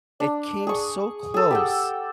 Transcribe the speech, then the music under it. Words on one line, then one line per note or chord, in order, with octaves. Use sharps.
It came so close
D4
G#4 C#6
G#4 A4
G4 F#5 G5